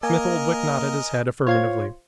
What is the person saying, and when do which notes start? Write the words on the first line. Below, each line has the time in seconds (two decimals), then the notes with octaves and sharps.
Smith-Oldwick nodded his head affirmatively.
0.03 A#3 A#4 D#5 G#5
1.47 F4 C5 C#5 F5 G#6